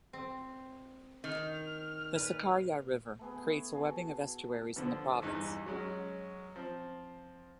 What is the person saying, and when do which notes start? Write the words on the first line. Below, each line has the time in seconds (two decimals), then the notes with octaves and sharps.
The Sakarya River creates a webbing of estuaries in the province.
0.13 C4
1.24 D#3 F6
2.15 A#2 B4
3.19 A3 B3 G#4
3.73 F#4 G#4 A4
4.76 D3 F3 B3
5.22 E2 G2 E3 D#4 F#6
5.66 F#3 G#3 C#4 F#4
6.56 F3 C4